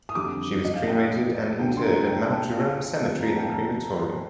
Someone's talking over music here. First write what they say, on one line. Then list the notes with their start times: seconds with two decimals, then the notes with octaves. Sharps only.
She was cremated and interred at Mount Jerome Cemetery and Crematorium.
0.09 D#6
0.15 F2 D3 G3 D6
0.64 D#5
0.76 F5
0.88 G5
1.59 D2 D3 G3 G5
1.77 C6
1.83 A#5
2.07 G5
2.25 A5
2.31 G5
2.49 F5
2.67 F5
3.03 F2 D3 F3 F5
3.21 A#5
3.26 A5
3.37 G5
3.43 A5
3.50 A#5
3.74 A#5
3.98 C6